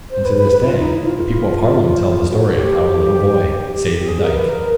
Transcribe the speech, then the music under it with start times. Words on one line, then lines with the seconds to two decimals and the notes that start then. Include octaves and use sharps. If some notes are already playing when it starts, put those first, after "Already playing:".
And to this day the people of Haarlem tell the story of how a little boy saved the dike.
0.11 C5
0.25 B4
0.38 B4
0.52 B4
0.66 F4
0.80 D#4
0.93 E4
1.06 F4
2.30 F#4
2.57 G4
3.94 G4
4.08 G#4
4.21 A#4
4.35 B4
4.49 A#4